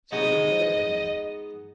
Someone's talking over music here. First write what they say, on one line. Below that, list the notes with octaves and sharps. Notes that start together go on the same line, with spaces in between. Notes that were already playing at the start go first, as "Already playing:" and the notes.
So they went there for the night.
G#3 B3 D#4 F#4 D#5